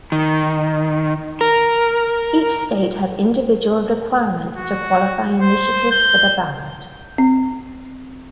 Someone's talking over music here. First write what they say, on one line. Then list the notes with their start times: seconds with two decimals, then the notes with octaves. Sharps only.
Each state has individual requirements to qualify initiatives for the ballot.
0.12 D#3
1.41 A#4
4.58 F#4
5.42 C5
5.91 G6
7.18 C4